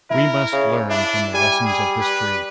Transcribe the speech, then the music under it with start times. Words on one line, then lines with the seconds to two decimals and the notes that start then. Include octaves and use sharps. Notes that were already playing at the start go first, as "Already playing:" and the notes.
We must learn from the lessons of History.
0.10 E4 A#4
0.52 C#3
0.90 D4 E4
1.34 G3 G#5
1.65 G#4
2.01 B4